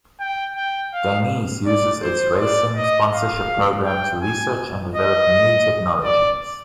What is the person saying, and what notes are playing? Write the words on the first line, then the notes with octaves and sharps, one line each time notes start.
Dainese uses its racing sponsorship program to research and develop new technologies.
G5
G5
F5
D5
C5
D5
D#5
F5
G5
G#5
D#5
D5